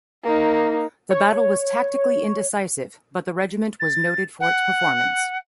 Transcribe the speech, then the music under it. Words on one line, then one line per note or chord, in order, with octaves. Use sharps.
The battle was tactically indecisive, but the regiment was noted for its performance.
A#3 D#4
C#5
A6
F#5